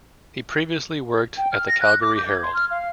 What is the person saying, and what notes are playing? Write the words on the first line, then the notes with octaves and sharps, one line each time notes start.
He previously worked at the "Calgary Herald".
G5
F6
A#6
F#6
D6
G6
G#6
C6
F6
F5